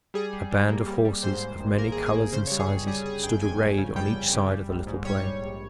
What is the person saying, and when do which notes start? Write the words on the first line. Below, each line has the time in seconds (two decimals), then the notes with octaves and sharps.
A band of horses of many colors and sizes stood arrayed on each side of the little plain.
0.14 G3 G#4
0.33 G3
0.51 G3
0.69 A#3
0.88 G3
1.05 G3
1.23 G#2 C5
1.42 G#2
1.60 G#1
1.78 A#3 A#4
1.92 G#4
1.97 G#1
2.06 G#4
2.15 A#3
2.33 C#3 C5
2.47 C#5
2.51 G3
2.60 G#4
2.69 G1
2.87 G3 G#4
3.06 G3 G#4
3.23 G1 G5
3.41 F2 G#5
3.60 G1
3.78 C#3
3.96 G3 G5
4.14 G1
4.33 C#3
4.51 G3
4.69 A#1
4.87 G#2
5.05 G3 C#5
5.23 G3
5.42 A#1